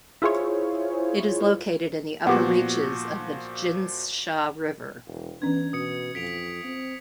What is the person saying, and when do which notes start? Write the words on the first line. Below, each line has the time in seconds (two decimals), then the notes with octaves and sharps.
It is located in the upper reaches of the Jinsha River.
0.22 E4 F4 G#4 C5 C#5
2.27 A#2 F3 B3 F#4 G4
5.07 E1
5.42 E3 B3 C#4 D4 G#6
5.73 B2 D#6 C#7
6.15 F2 B6 D7 F7
6.64 C4